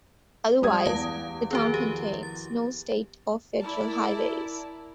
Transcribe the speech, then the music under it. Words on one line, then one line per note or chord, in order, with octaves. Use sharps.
Otherwise, the town contains no state or federal highways.
G3 D#6 G#6
E2 F5 A5
D#3 F3 F#4
G4
A6
E4 A#4 D5 A5